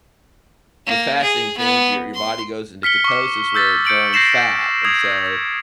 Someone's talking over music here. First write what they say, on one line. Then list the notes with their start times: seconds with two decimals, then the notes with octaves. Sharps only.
the fasting things, your your body goes into ketosis where it burns fat, and so,
0.86 A#3
1.22 G#4
1.57 B3
2.14 C6
2.83 F6 B6 C#7 G7
3.04 C#6 D6
3.55 E6 G6 A6 B6
3.85 G6 C#7 D7 F#7
4.13 G6 A#6 C7 E7 F#7
4.85 D#6 G#6